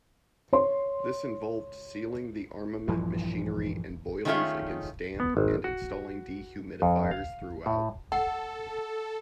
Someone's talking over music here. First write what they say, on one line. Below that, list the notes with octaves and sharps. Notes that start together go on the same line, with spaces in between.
This involved sealing the armament, machinery and boilers against damp and installing dehumidifiers throughout.
C#5 C6
A#1 G2 E3 F3
D#3 A3 C#4 F4 G#4 E5
B3
G#1
F#4
F2
F5
A2
A4 F#5